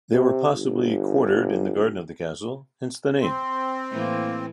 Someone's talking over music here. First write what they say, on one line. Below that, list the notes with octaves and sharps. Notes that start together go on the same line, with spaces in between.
They were possibly quartered in the garden of the castle, hence the name.
C3
G1
C4 C6
A2 E3 A#3